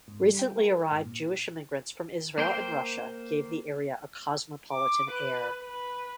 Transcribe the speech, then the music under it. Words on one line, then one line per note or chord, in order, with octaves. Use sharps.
Recently arrived Jewish immigrants from Israel and Russia gave the area a cosmopolitan air.
G#2
G3
G5
A#4
G#2
A#2
A#3 C5 G5
D6
B4
B4